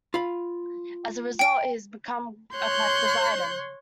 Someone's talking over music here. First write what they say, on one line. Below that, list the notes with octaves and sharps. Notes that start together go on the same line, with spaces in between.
As a result, it has become a collectors item.
F4 F5 B5
G5 D7
C#5 C6 F#6 G6